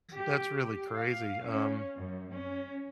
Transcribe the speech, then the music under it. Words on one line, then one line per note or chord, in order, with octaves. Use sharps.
that's really crazy, um
G4
G4
F5
C#4
F#2
C#4